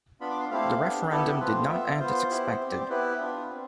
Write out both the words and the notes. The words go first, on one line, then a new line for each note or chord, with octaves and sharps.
The referendum did not end as expected.
B3 D4 F4 B5
D6
C6
A3 C4 E4 G4 F5
B3 D4 G4
B3 E4 G4 A4
A3 C4 F4 B4
B3 F4 E5
B3 F4 C5
B3 E4 G4
C4 G4
D5
C5
B3 E4 G4 B4
B3 D4 F4
C4